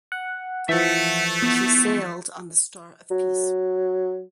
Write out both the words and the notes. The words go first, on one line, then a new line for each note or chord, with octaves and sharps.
She sailed on the "Star of Peace".
F#5
E3 F3 A3 E5 F#5
B3
F#3